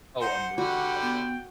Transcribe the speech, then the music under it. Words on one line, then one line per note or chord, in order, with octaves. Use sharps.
Oh, a movie, okay.
D#4 C5 F#5
D3 G3 F#4 G5
B3